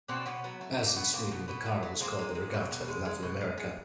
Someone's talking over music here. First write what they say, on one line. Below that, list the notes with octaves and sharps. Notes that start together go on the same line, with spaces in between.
As in Sweden, the car was called the Regatta in Latin America.
B2 C4 D4
B2 B3 C#4
F#3 B3
A3
A3
A#3
B2 B3
B2 A#3 C4
B2 B3
B2 B3
F#3
A3
G#3 A#3 C4
G#3
G#3
B2
B2
G#3
G#3
B2
G#3
G#3